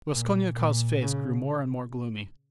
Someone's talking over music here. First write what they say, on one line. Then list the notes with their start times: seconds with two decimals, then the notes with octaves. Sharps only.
Raskolnikov's face grew more and more gloomy.
0.12 A#2
0.57 A#2
1.01 C#3